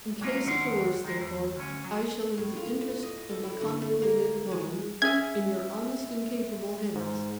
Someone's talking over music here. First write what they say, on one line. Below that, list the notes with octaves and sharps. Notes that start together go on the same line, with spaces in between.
In case of the worst, therefore, I shall leave the interests of my contemplated Home in your honest and capable hands.
F#3 G#3 A#3 D#4 F4
F2 D#3 A#4 F#5 C6
D#3 G#3
E2
D2 C#4
F#3
A2
F4
D#5
A4
E4
D3
A3
A#3
G#3
C#4 G#4 E5 G#5 G#6
G#2